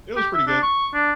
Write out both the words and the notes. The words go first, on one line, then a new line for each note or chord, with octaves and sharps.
it was pretty good.
G4
E5
D4
C#6
D4